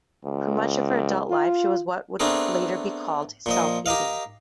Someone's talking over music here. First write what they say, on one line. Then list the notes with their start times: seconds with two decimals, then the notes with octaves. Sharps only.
For much of her adult life she was what would later be called self-hating.
0.25 C#2
1.31 F4
2.20 A3 B3 C4 D4 G#4 A#4
3.46 A#2 F3 D#5
3.86 G4 A#4 D#5 F5